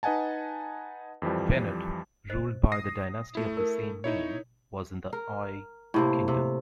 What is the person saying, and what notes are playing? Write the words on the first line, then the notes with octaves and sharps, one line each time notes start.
Venad, ruled by the dynasty of the same name, was in the Ay kingdom.
D#4 B4 D#5 F#5 G#5 A5
F2 E3 F3 G3
C5 D#5
D#6 A#6 C7
A3 E4
A#4
D#4 E4 C#5
A#4
A2 C3 A#3
C3